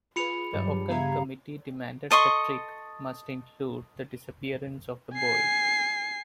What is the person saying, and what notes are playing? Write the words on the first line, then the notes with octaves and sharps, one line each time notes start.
The Occult Committee demanded the trick must include the disappearance of the boy.
F4 G#4 B4 B5 C#7 F7
G2 F#3 G3
C#3 B3 E5 F5 A#5 G#6
A4 D#5 C6 C#6
G#5 C7